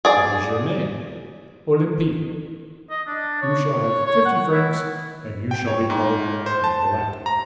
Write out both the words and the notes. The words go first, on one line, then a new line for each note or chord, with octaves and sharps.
"What is your name?" "Olympie." "You shall have fifty francs, and you shall be called Nicolette."
G#4 D5
D#5
D4
C#5
C#5
F#5
E4
G5
C#5
G#2
C5
A5
A#5